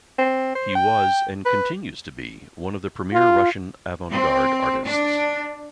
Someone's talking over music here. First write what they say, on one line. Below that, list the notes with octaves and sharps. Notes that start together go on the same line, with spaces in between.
He was and continues to be one of the premier Russian avant-garde artists.
C4
C5
G5
B4
F4
C4
D4